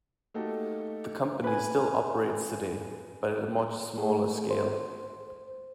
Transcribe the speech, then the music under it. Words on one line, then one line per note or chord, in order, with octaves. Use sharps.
The company still operates today, but at a much smaller scale.
A3 A#3 D#4 F#4 G4 A4
B4 G#5
A3 G#4
C5